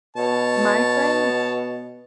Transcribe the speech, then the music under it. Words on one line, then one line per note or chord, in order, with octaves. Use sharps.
My friend,
B2 C#5 A5